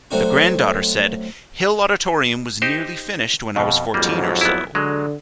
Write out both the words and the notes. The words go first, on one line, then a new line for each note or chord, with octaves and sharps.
The granddaughter said: Hill Auditorium was nearly finished when I was fourteen or so.
F#3 A3 C4 D4 F#4
D#4 G4 C5
F2 B2
F2 G#2 F#3 G3 A#3
B3 E4
D3 F#3 G#3